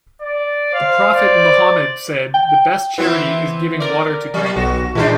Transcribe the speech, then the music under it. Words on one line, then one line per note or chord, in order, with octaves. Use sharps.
The Prophet Muhammad said, "The best charity is giving water to drink".
D5
C5 F5
D5
G5
E3 B3 C4
A#4 D5
F#3
B1 F#4
A#2 D#3 G#3 D4 C5